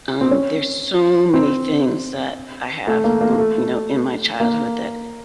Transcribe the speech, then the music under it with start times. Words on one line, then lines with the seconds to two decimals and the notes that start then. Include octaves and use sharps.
um, there's so many things that I have r you know, in my childhood that
0.21 C4
0.31 C#4
1.34 C4
2.87 A3
3.04 A#3
3.21 A#3
3.38 A3
4.40 A#3